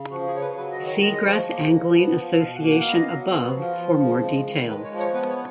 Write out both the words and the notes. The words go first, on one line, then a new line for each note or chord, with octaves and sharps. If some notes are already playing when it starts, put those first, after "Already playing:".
See Gress Angling Association above for more details.
Already playing: C#3
F3 F#4
G#4
C#3 C#5
B4
F#3 B4
D#5
D#3
C#5
G#3 D#5
D#5
F3 C#5
A#3
F3
B3
F3
B2 F5
F#5
A#3
F#5
B3 F5
D#5
F5
F#3
B3 G#4
F#4
F3
F4
F3
C#3
G#3
D#3
G#3 B4
C#5
F3
C#5
B3 B4
C#5